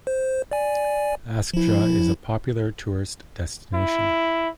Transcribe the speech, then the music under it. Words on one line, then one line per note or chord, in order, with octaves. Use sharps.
Askja is a popular tourist destination.
C5
D5 G#5
F3 E4
E4